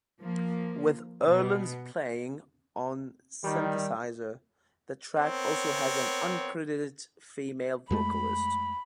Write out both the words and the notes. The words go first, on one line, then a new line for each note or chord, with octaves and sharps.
With Earland's playing on synthesizer, the track also has an uncredited female vocalist.
F3 A#3
B2 B3
D#3 G3
B3 C4 A#4 C#5
F2 G#3 A3 B5